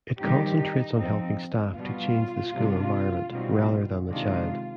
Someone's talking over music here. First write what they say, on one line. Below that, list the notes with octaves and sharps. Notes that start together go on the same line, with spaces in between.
It concentrates on helping staff to change the school environment, rather than the child.
D#3 G3 C4 D#4 G4
D#4
F3 C4 D#4
B2 G3 B3 F4
C3 G3 D4
B2 G3 C4 D#4
C3 D#3 G#3 D4 F4